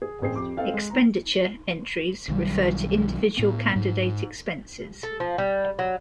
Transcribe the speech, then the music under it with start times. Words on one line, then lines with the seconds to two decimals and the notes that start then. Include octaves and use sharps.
Expenditure entries refer to individual candidate expenses.
0.02 G#4
0.21 A1 C4 G#4 G5 C7
0.36 F2 G4 D6
0.57 C4 A4 D#5 F5 G5
0.74 G#3
0.90 C4 A#5
2.28 B1 D#3 F#3 G3
3.37 A2 B3
3.76 G#2
5.03 A4
5.20 F3
5.38 G3
5.79 F#3